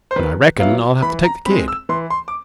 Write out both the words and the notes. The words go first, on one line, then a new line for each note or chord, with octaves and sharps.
And I reckon I'll have to take the kid.
C5
D#3 B4
F#3 B3 E4 F5
E3 B5
A#5
G#3 C4 B5
E6
E3 C6
C6
D6